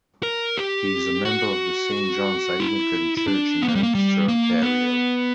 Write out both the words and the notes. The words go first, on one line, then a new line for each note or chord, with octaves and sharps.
He is a member of the Saint John's Anglican church in Ancaster, Ontario.
A#4
G4
F#4
E4
E4
D4
B3
A#3
G3
A#3
G3
A#3
B3